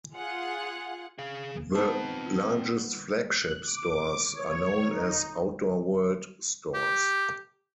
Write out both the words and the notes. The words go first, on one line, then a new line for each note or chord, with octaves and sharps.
The largest flagship stores are known as Outdoor World stores.
F4 G#4 F#5
G#4 F5
B3 C4 D#4 C5 A5
F#6
D6
C#5
D#4
G4